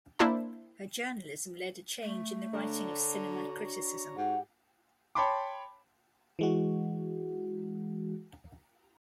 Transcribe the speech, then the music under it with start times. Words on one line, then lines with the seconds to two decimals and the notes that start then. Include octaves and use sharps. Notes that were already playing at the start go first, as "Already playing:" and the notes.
Her journalism led a change in the writing of cinema criticism.
0.19 A#3 D4 E4 C5 A5
2.03 A3
2.53 D3 D4 C#5 A#5
3.31 F#4
4.17 G#2 G4 F#5
5.15 C#5 G5 A5 B5 C6 D6
6.39 E3 G#3 F#4